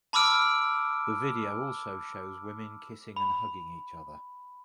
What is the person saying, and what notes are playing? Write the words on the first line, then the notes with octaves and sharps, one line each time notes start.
The video also shows women kissing and hugging each other.
A5 B5 D6 E6 F6 D7
B5